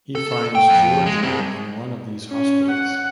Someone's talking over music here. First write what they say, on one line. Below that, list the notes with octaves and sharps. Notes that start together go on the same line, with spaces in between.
He finds Giorgia in one of these hospitals.
A4
G5
F2 G5
G#3
G3 C4
C#4
F#5